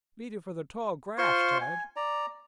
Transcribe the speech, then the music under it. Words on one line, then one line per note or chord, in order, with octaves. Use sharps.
"Beat it for the tall grass, Tad!"
F4 C5 C6 C#6
G#5
D5 A#5